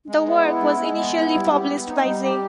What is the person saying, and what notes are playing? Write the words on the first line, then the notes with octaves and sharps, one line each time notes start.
The work was initially published by J.
G#3
B3
E4
G#3
G#3
B3
E4
G3
G4
B3
D#4
G3
G4